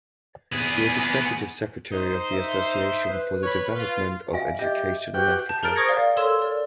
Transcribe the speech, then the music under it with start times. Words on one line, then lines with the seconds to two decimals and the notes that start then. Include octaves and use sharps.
She was Executive Secretary of the Association for the Development of Education in Africa.
0.52 B3 G#4
1.92 D#4 C5
2.31 E5
3.08 B4
3.43 C#5 B5
3.76 F4
4.33 E5 F5 G#5
4.59 G4 D#5 E5
5.14 F#4 G4 B4 G5
5.49 A5 G6
5.63 G#4 A#4 A#5 F6 A6 D7
5.76 C5 C#6 D#6 G#6 A#6 C#7
5.88 A#4 D5 F5
6.17 A4 A#4 C#5 C6 E6 E7
6.42 A#4 D5